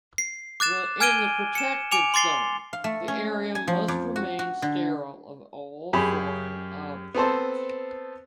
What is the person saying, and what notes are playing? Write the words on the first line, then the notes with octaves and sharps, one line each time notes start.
In the protected zone, the area must remain sterile of all foreign objects.
C7
D6 F#6 A6 E7
G#5 F6 G#6 D7 D#7 G7
C#7 E7
G#5 D6 C#7 F7
C6 D6 A6 C7 G7
F5
A3
C#4
G#5
F3
F2
F#4
F#4
D3
F#2 G4 G#4 B5
B3 C4 A4 C5